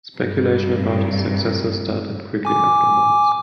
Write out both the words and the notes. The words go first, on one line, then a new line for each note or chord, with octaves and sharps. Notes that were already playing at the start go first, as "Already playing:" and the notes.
Speculation about his successor started quickly afterwards.
G2 C3
G#5 D6